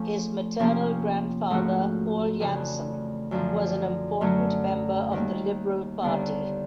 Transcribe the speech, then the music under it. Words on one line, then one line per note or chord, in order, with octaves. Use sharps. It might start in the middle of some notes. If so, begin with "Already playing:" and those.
His maternal grandfather, Paul Janson was an important member of the Liberal Party.
Already playing: F3 A3 C#4
C3 F3 A#3 C#4
G#2 F3 A3 C#4 F#4
F2 C#3 E3 A3 D4
F#2 D3 F3
F#2 D3 F#3 A3
D#2 D#3 G3 A#3
D#2 D3 G3 B3